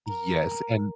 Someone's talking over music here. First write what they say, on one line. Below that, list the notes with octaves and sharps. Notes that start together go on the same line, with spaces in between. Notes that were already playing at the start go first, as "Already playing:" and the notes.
Yes. And
A#4 A#5